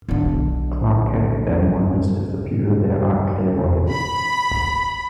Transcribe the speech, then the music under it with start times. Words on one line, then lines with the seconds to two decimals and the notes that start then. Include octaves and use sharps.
Clark Kent then wonders if the people there are clairvoyant.
0.09 B1 D3
3.90 B5